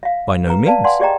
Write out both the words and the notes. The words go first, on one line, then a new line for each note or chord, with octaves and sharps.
"By no means."
E5 F5
B4 A#5
B4 D5 F5 A5
D5 F5 F#5 G#5 C6
G4 G#4 D5 D#5 G5 A#5